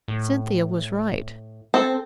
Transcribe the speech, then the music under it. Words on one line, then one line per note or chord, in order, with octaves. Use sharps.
Cynthia was right.
A2
C4 A4